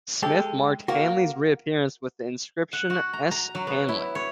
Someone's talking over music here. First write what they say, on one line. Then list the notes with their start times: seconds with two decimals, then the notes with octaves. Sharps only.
Smith marked Hanley's reappearance with the inscription S Hanley!
0.22 G#3 G4 A4
0.88 A#3 F#4
2.73 F#5
2.90 F#4
3.13 A#5
3.31 A#5
3.55 F#3
3.67 B3
3.88 E4
4.15 C#5